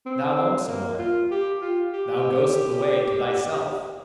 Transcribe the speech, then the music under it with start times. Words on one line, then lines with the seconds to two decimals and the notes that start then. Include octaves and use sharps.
Thou lonesome one, thou goest the way to thyself!
0.06 C4
0.69 A#3
0.99 F4
1.31 G4
1.61 F4
1.93 G4